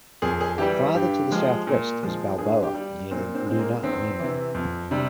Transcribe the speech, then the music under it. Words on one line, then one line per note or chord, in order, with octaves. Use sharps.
Farther to the southwest is Balboa, near the lunar limb.
F2 G#4
G#4
E3 G3 G4
G2 G4
F3 G#3
A#2
F3 G#3
G2 G#4
G4
G3
A#2 C4
C4
G#3 C4
A#3
E2 C4
C3 E3
F2
C3 G3